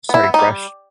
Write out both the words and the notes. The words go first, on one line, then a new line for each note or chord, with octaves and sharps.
Starting fresh.
B3 E4
B3
G3 D#4